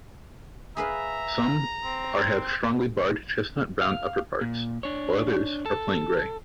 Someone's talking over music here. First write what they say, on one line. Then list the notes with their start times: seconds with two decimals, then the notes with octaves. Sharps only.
Some are have strongly-barred chestnut-brown upperparts, while others are plain grey.
0.77 G#4 B4 E5 F5 A#5
1.84 C4
3.82 F5
4.41 A#2
4.83 D4 C#5
5.66 A4